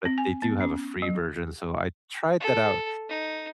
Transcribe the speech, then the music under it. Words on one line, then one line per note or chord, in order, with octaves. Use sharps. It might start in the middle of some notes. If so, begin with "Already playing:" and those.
but they do have a free version, so I tried that out
C4
G#5
B3
C#4
F#3
A4
D#4